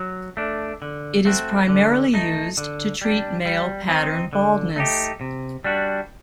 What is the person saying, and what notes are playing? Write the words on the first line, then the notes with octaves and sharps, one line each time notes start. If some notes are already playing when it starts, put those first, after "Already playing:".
It is primarily used to treat male pattern baldness.
Already playing: F#3
A3 D4
D3
A3 C4 F#4
D3
A3 D#4
D3
G3 D4
G3
C4 D#4
D3
A3 D#4 G4
C3
G3 D4 F#4